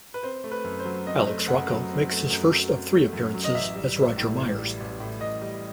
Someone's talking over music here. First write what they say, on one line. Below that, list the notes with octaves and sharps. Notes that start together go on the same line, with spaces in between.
Alex Rocco makes his first of three appearances as Roger Meyers.
B4
C4 C5
A3
B4
F#2
C5
F#3
C4 D#5
A3
F#2 F#5
F#3
C4
A3
F#2
F#3
C4
A3
F#2
F#3
D#5
A1 E5
G3
A1
A2
A1
G3
A1
A2
A1 D#5
G3